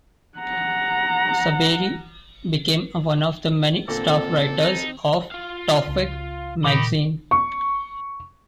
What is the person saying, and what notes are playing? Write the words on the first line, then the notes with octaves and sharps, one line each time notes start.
Saberi became one of the many staff writers of "Towfigh" magazine.
F#5 A#5
A#2 D3 C4 A4
D#4
F4 F5
C#2
A#2 D#3 D#4 G4 B5
C#6